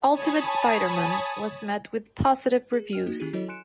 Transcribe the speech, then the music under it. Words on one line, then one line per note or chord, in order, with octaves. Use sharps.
"Ultimate Spider-Man" was met with positive reviews.
C#5 G#5 A5 B5 D#6
G#4
D#5 G5 F6
A#3 D#4 F#4
D#3 C#4 E4 G4 G#4 D#7
F#3 E4 F#4 A4 C#5 D#5
G#5 C6 F#6 C#7 D7 E7